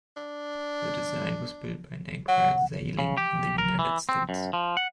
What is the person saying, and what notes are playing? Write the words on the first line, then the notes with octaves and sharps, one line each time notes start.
The design was built by Nacra Sailing in the United States.
D4
F#3 F#5
C#3
G4
A#4
E3
C4
F#2
F3
F#5